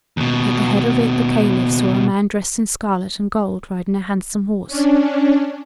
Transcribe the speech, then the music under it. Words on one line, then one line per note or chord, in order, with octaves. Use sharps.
At the head of it the Caliph saw a man dressed in scarlet and gold, riding a handsome horse.
D#2 B2
C#4 D4